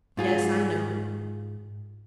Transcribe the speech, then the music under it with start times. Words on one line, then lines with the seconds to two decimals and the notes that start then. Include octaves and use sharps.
"Yes; I know."
0.17 G#2 F4 G#4